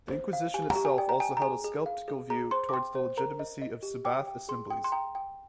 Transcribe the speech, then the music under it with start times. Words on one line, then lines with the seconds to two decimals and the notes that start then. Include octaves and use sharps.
The Inquisition itself also held a skeptical view toward the legitimacy of Sabbath Assemblies.
0.10 C5
0.33 F5
0.54 G4 G#5
0.71 G4 A#5
0.85 G#5
0.98 D5 G5
1.09 A#5
1.20 G5 G#5
1.37 A#5
1.42 G#4 G#5
1.64 G#4
1.86 F5
2.08 G#4
2.30 G#4 A#5
2.51 C5 C6
2.69 D6
2.73 G5 C6
2.95 C5
3.17 A#4 A#5
3.39 D#5
3.62 D#5
3.83 G4
4.05 G5 D6
4.27 G5
4.49 G#4 C6
4.70 G5
4.84 C6
4.92 G5 A#5
5.15 G5